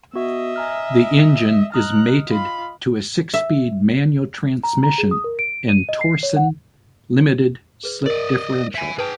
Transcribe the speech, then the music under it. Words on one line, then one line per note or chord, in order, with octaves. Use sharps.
The engine is mated to a six-speed manual transmission and Torsen limited slip differential.
B3 F#4 D#5 E5
G#5 A#5 F6
D#5 A#5 D#6 F6 F#6
F4 B5
E5
A#5
A#5
G#4
D#6
A#4
D7
D#7
D#5
C7
C#5
F#5
G#4 B4
A#4 D5 D#5
E5 G#5
G#4 B4 G5 A5